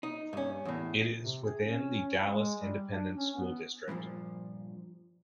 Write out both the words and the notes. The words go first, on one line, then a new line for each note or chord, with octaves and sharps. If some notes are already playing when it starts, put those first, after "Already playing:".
It is within the Dallas Independent School District.
D#4
G2 C#4
E2 A2
C3
G#4
C#4
G#3
G3
D4
C#4
B3
G2 A#2 D#3 F3